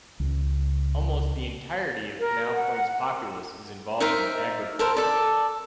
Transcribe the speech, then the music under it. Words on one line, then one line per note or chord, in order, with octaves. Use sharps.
Almost the entirety of Canal Point's populace is involved in agriculture.
C#2
A#4
F#5
D#4 A#4 C5 E5
A4 A#4 C5
A4 D5